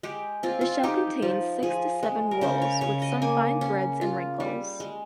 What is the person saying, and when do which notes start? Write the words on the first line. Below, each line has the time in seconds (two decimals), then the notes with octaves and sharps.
The shell contains six to seven whorls with some fine threads and wrinkles.
0.03 G#3 G4
0.43 C4 F4
0.61 F4
0.83 D#4 G4
1.22 F3
1.63 F3 G#4
2.03 G#3
2.31 A#4
2.41 C#3 C5
2.62 C#5
2.81 C#3 C#5
3.02 D#5
3.22 A#3 G#5
3.61 C#4
4.01 F4
4.40 G3
4.80 G#3